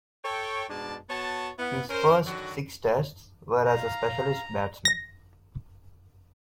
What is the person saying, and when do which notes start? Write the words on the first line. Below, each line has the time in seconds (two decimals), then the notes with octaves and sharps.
His first six Tests were as a specialist batsman.
0.25 A4 C#5 G5
0.70 G#2 B2 G#3 D4 D5 A5
1.10 B3 F#4 C#5 A5
1.58 B3 E4
1.89 C#4 A#4 C5
2.26 D3 D#3 F#3 F#4
3.67 F5 A#5
4.85 A#6